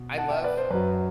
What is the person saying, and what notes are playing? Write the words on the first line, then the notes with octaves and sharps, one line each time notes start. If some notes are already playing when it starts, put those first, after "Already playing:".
I love
Already playing: B2
F#5 A5
E5 G5
B4 D5
C5
F#2 F#3 B4